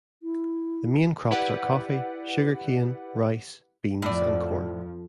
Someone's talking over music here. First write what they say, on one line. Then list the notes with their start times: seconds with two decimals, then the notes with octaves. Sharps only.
The main crops are coffee, sugarcane, rice, beans, and corn.
0.23 E4
1.31 E4 G4 B4 D5 F#5
4.02 F2 A2 F3 D5